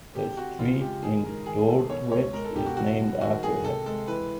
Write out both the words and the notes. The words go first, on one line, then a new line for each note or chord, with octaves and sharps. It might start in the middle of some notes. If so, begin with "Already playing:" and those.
A street in Dordrecht is named after him.
D3 G4
C4 F#4
C#3 F4
G#3 G4
D#3 G#4
G#2 A#4
D#3 G#4
A#3 A4
B2 C#5
C#2 C#5
G#3 A#4
A4
B2 G4
F#4
D3 F#4
G2
D#3 F#4
A#3 G#4
C3 A4
G#3 A4
E3 B4